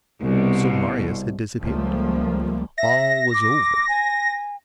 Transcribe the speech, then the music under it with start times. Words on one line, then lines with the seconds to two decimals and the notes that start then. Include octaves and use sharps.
So Marius had disappeared; all was over.
0.20 C2 B2
1.61 C#2 F3 G3 A3 A#3
2.78 E5 A#6
3.34 D6
3.89 G#5